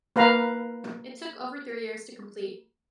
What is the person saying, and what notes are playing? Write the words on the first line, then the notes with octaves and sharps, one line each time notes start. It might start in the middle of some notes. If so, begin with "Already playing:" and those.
It took over three years to complete.
A#3 B4 F5 A#5